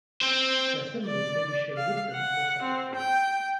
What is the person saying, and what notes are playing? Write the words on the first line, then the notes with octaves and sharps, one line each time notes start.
Their symbols may be shown with them, or separately.
C4 C5
D5
F5
F#5
C4
G5